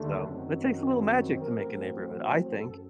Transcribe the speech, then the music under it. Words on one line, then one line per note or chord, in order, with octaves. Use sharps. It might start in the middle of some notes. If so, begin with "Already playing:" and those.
So, it takes a little magic to make a neighborhood, I think,
Already playing: D#2 D3 A3
F#2 D#3 F#3 C4
A1 A2 F#3 C4 A#4
F#2 A4